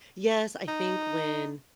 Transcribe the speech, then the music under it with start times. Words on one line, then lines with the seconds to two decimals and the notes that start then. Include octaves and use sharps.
Yes, I think when,
0.68 D#4